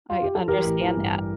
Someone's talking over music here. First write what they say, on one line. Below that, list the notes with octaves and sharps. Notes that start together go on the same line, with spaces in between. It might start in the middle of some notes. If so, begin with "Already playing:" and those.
I understand that.
F4
G4
A4
E3 G4 A#4
A1
E3
G2